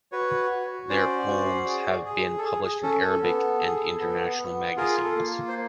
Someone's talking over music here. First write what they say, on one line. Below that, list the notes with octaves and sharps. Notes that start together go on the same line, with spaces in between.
Their poems have been published in Arabic and international magazines.
F#4 B4 C#5
F#4
C#4 C5 D5
F#4
G#4
G#4
A4
G#4
G#4
C#4 A4
A4
B3
G#4
B3
B3
F4 G#4 A#4
A4
A#3
C5